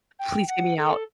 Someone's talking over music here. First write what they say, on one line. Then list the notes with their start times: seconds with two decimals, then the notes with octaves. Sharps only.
please get me out."
0.19 G5
0.48 F#5
0.77 A4